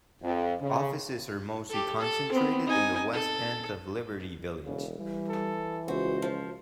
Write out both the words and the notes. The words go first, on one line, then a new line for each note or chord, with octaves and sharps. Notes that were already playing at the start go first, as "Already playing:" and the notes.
Offices are mostly concentrated in the west end of Liberty Village.
F2
C#3
G4 A4
A4
B3 C4
D#4 G#5
A4
E1 C#3
E3 G3
A4
C#2 F#4 C5
F3